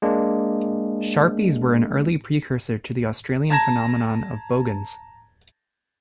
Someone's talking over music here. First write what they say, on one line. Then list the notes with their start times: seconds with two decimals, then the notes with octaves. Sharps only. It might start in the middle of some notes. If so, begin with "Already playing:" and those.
Sharpies were an early precursor to the Australian phenomenon of bogans.
0.02 G#3 A#3 D4
3.50 A5 A#5 G#6 A#6 E7